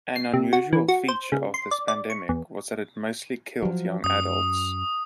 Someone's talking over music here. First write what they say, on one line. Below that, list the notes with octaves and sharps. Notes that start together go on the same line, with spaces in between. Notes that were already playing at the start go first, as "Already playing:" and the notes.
An unusual feature of this pandemic was that it mostly killed young adults.
C7
C3
F#4
E3
F#4
C5
C#3
C6
D5
D5
C#6
E2
F3 F#3
F#2 D#6